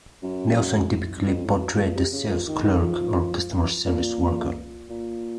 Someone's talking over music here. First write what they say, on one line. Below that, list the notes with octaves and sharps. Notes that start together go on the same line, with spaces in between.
Nelson typically portrayed a sales clerk or customer service worker.
F#2
F2
A2
F#2
A#2
C3
C#3
F3
D#3
D#3
F3
A#2
A#2